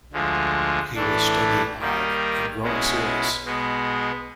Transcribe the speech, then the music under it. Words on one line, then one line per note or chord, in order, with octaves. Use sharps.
He was studying hard, and growing serious.
D2 D3 F3 G#3
A2 E3 A3 D4
D#3 G3 A#3 D#4
B2 G#3 C#4 E4
B2 G#3 B3